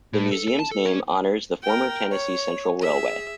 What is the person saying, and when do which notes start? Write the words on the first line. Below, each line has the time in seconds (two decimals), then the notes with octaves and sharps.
The museum's name honors the former Tennessee Central Railway.
0.13 A2
0.31 A4
0.48 A4
0.59 A5
0.71 A4
0.85 C#4
1.63 A#4 G5
2.11 C#5
2.81 G#4 E5